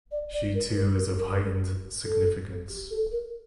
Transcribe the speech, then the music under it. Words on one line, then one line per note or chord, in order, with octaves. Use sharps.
She too is of heightened significance.
D5
D5
A#4
A#4
A#4
A#4
A4
G4
A4
A#4